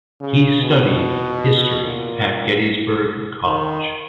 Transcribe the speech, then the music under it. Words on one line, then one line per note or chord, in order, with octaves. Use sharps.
He studied history at Gettysburg College.
C#3
B2
A#2
D#3